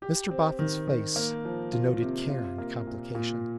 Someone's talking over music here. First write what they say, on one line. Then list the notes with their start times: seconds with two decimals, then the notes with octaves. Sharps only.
Mr Boffin's face denoted Care and Complication.
0.02 G4
0.31 C4
0.59 D#3
0.88 D#3
1.16 A#3
1.45 F3
1.73 F4
2.02 C3
2.30 F4
2.58 A#3
2.87 A#2
3.15 A#2